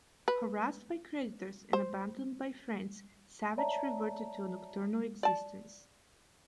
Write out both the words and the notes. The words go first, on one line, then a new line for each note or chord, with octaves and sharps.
Harassed by creditors and abandoned by friends, Savage reverted to a nocturnal existence.
B4
C5
C#5 D5 E5 A5 A#5
D5 A5